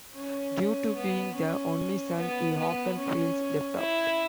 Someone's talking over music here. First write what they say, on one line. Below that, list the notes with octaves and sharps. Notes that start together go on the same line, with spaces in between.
Due to being the only son, he often feels left out.
C#4
B3
C#4
B3
B3
C#4
E4